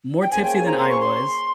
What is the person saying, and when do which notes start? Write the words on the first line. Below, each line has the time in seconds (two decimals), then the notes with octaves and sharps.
more tipsy than I was,
0.22 G5
0.31 A#3 C#4 G#4 C5 G#5
0.44 G5
0.55 G#5
0.67 A#5
0.79 C6
0.89 C#6
1.00 C6